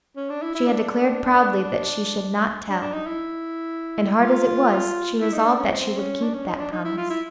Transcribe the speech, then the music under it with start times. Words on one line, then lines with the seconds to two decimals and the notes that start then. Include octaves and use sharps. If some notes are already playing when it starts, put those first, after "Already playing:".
She had declared proudly that she should not tell, and hard as it was she resolved that she would keep that promise.
0.16 C#4
0.30 D4
0.42 E4
0.54 E4
0.67 D4
2.69 D4
2.81 D4
2.94 D#4
3.06 E4
4.21 F4
5.21 E4
5.33 D#4
5.46 D4
5.59 C#4
5.71 C4
5.96 C#4
6.22 D4
6.34 C#4
6.47 D#4
6.56 C#4
6.59 D4
6.72 D#4
6.85 E4
6.97 F4
7.10 E4